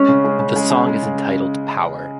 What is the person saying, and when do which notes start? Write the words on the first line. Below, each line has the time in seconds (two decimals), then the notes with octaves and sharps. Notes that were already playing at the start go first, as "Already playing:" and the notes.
The song is entitled "Power".
Already playing: G#3 C#4
0.08 C#3
0.24 G#3
0.39 C#3
0.56 G#3
0.70 G#3
0.87 G#3
1.03 C#3